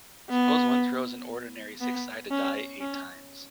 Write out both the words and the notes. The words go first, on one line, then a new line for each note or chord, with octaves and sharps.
Suppose one throws an ordinary six-sided die eight times.
B3
B3
C#4
C#4